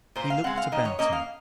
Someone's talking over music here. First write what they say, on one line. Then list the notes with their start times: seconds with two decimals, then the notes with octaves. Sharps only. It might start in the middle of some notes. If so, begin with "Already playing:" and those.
He looked about him.
0.16 A#2 C5
0.30 F5
0.44 G#3 C4 F#5
0.57 F5
0.72 D#3 D#5
0.85 C#5
0.99 A#3 C#4 D#5
1.13 F5